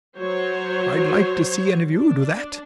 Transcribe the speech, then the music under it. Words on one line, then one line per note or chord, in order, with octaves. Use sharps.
I'd like to see any of you do that!
F#3 C5 C#5
D4